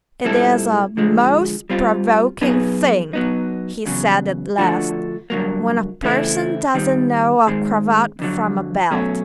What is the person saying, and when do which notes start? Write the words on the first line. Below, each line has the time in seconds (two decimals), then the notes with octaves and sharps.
'It is a--MOST--PROVOKING--thing,' he said at last, 'when a person doesn't know a cravat from a belt!'
0.25 A#2 G3 C4 E4 A4
0.97 D3 F3 G#3
1.70 G3 C4 F4
2.41 F#3 B3 D#4 G#4 B4
3.13 F#3 B3 D#4
3.86 E2 C#3 F#3
4.58 D3 F3 A3 D4 F#4
5.30 G2 D3 F#3 A#3
6.03 C#3 E3 A3 C4 E4
6.74 D#3 G3 C4
7.47 G#2 D#3 G#3 C4
8.19 F2 D3 F#3
8.91 B2 F#3 A3 C#4